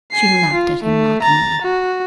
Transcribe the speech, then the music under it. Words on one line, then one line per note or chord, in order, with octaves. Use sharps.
She laughed at him mockingly.
G#5 C7
F4
A3
A#5 A6
F#4